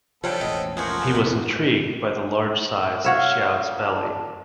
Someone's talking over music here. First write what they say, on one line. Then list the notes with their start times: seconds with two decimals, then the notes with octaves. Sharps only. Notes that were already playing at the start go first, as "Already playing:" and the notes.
He was intrigued by the large size of Xiao's belly.
0.24 F3 G3 B3 D4 A4 C5 C#5 G5
0.41 E1 A1 D#5
0.77 F3 A3 A#3 C#4 F4 F#4 A#4 C5
1.15 E2 B3
3.05 F#4 C#5 E5 F5
3.79 D4